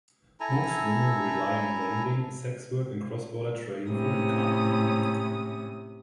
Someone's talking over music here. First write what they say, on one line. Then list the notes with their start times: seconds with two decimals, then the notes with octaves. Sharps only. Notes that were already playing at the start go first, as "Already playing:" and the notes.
Most women rely on vending, sex work and cross-border trading for income.
0.40 E4 A4 G#5 A#5
3.88 A2 C3 C#4 D#6